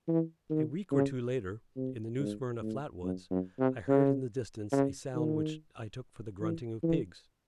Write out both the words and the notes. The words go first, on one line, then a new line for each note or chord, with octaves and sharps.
A week or two later, in the New Smyrna flat-woods, I heard in the distance a sound which I took for the grunting of pigs.
E3
D#3
C#3
C3
G#2
A2
F#2
F#2
C3
C#3
C#3
D#3
E3
E3